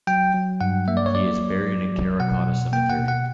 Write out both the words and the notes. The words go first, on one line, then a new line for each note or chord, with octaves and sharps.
He is buried in Karrakatta Cemetery.
F#3 G5
F#3
G2 F#5
A#3 E5
D5
C#5
F#3 D5
F#3
F#3
F#3
B2 F#5
B2
A#3 G5
F#5
B2
F#5